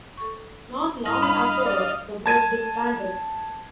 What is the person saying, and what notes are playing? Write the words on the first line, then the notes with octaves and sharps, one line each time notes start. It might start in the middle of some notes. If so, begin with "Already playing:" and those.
Not long afterwards the group disbanded.
A4 C#6
G#2 G3 E4 D#5 F5
D4 B5
D5
A5 G#6 D#7